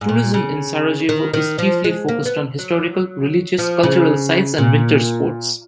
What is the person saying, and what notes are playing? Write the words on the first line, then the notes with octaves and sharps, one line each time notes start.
Tourism in Sarajevo is chiefly focused on historical, religious, cultural sites and winter sports.
G#2
A#2
C#3
D#3
D#3
F3
G#3
A#3
B3
F#3
F3
C#3
A#2